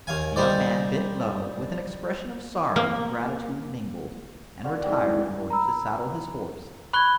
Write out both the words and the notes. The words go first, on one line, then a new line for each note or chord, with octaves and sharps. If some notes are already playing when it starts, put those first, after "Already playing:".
The young man bent low, with an expression of sorrow and gratitude mingled, and retired in order to saddle his horse.
D#2 F5 G#5
G3 D#4 C5 D5
A#3
D3 F#4 D5 F5
G#2 C3 E3 G5
A#5 B5 E6
B5 C#6 F#6 G#6 G7